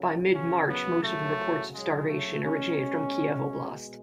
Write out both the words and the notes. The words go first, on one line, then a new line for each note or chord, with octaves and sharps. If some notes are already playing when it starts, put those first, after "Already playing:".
By mid-March, most of the reports of starvation originated from Kiev Oblast.
Already playing: F#2 C#3 F#3
C#4
B3
A3
G#3
A3
B2 G#3 C#4